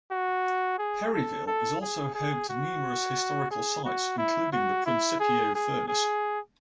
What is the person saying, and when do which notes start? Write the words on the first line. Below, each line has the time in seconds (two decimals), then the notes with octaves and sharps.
Perryville is also home to numerous historical sites including the Principio Furnace.
0.11 F#4
0.79 G#4
1.14 A4
1.47 A4
1.81 G#4
2.14 G#4
2.49 F#4
3.51 G#4
3.85 F#4
4.18 E4
4.53 F#4
4.86 E4
5.20 G#4
5.55 G#4
5.88 G#4